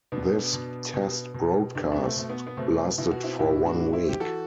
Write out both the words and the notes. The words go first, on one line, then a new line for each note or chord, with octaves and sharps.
This test broadcast lasted for one week.
B2 B3 D4
B2
B2
B2
B2 D4
C4
B3 D4
A3 C4
B2 A3
B3
B3
B2 A3 C4
B2 E4
F#4
C4 E4
A2 E4 G4
D4 F#4
E3
C4 E4
G4
E3 F#4 A4